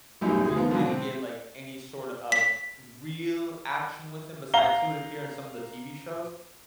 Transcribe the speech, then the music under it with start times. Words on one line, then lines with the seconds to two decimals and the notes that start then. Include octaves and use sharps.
we didn't get, like, any sort of real action with him besides he would appear in some of the TV shows,
0.21 B1 F#2 A2 G3 D#4
0.41 D2 G#4
0.56 D#3 F3 B3 F4
0.69 G#2 B2 D3 F#3
0.86 C4
2.32 B6
4.54 F5 A#5 G7